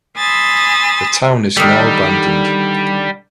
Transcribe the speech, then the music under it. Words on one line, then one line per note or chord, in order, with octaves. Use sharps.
The town is now abandoned.
G#5 B5 C6 D#6 E6 A6
D3 D#3 G3